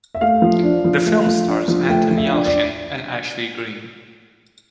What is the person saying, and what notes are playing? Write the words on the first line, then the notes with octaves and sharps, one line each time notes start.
The film stars Anton Yelchin and Ashley Greene.
E5
A3 F5
F3
D4
F3
A3
F3
D4
F3
A3 G5
F3
E5
D4
D5